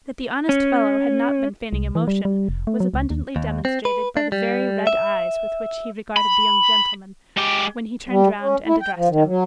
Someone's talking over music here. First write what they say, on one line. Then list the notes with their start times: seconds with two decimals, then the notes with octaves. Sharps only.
That the honest fellow had not been feigning emotion, was abundantly demonstrated by the very red eyes with which he regarded the young gentleman, when he turned round and addressed him.
0.49 C#4
1.73 C2
1.95 E3
2.08 G3
2.25 G3
2.49 F1
2.67 A3
2.80 F#3
2.94 C#2
3.10 D#2
3.36 D#2
3.65 C4
3.85 B4
4.17 D4
4.32 G3
4.87 E5
6.17 B5
7.37 G#3 G4
8.09 G3
8.40 C#4
8.66 E4
8.81 G5
8.96 F3
9.09 D#3
9.25 F#3